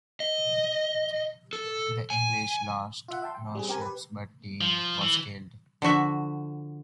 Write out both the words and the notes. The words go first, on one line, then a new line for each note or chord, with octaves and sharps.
The English lost no ships, but Deane was killed.
D#5
A4
G#5
F4 E5 F#5
E5 G5 A5 C6
G5
G3 C4 G#4
C4 G4 A#4 G#5
G4 B4
F3
E3
D3 F3 F#4 E5